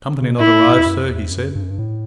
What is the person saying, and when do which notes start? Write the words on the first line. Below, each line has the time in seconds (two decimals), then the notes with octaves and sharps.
"Company not arrived, sir," he said.
0.22 C#3
0.31 B2
0.39 A2 E4
0.79 E2
0.86 F#2
1.09 E2
1.31 F#2
1.55 G2
1.63 F#2
1.70 G2
1.78 A2